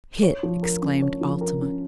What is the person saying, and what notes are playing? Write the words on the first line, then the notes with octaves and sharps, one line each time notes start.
"Hit!" exclaimed Altamont.
C#5
F3
A#4
C#4
C#5
F3
A#4
C#4